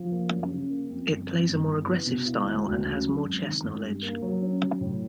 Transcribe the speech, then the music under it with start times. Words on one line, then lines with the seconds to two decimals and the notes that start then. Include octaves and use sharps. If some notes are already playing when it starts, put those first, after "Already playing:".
It plays a more aggressive style and has more chess knowledge.
Already playing: F3
0.11 A#3
0.31 F#2
0.50 C#3
0.70 A#3
0.90 F2
1.10 G1
1.28 F2
1.49 G1
1.68 E4
1.87 B3
2.07 B2
2.26 E4
2.46 E1
2.65 D2
2.85 C#3
3.04 F#3
3.24 G#1
3.43 D#3
3.63 G#1
3.82 G2
4.02 A#3
4.22 F#3
4.41 C#4
4.61 F#3
4.81 A2